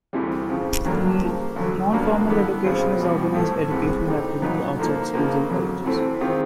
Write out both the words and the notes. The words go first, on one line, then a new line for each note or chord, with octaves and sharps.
Non-formal education is organized educational activity outside schools and colleges.
D2 C3 E3 G3
F2 C#3 F3
G2 D3 F#3 A#3 D4
C#3 F3 A#3
D2 D3 F#3
C#2 B2 G3 A#3 D4
G2 D3 G3 B3 E4
C#2 B2 G#3 C4
C2 B2 G3
A2 F3 A3
C2 C3 E3 G#3 B3
D3 G3 C4 D#4
C2 A#2 F#3 B3 D#4
D3 F3 A#3 D#4
C#2 C#3 F3 A#3
F2 D3 F#3
C3 E3 A3 C4
C3 D#3 G#3 C4 F4